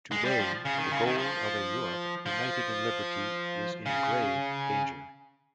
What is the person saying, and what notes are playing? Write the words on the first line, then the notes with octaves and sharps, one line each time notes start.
Today, the goal of a Europe united in liberty is in grave danger.
G#3
G3
F3
C#3
D#3
C#3
D#3
F3
F3
C#3